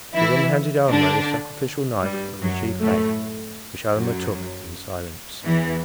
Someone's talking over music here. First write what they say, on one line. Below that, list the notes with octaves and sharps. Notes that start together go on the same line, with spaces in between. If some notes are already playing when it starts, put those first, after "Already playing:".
She then handed Almah the sacrificial knife of the Chief Hag, which Almah took in silence.
E3 E4
D3 D4
G2 G3
F#2 F#3
A2 A3
F#2 F#3
E2 E3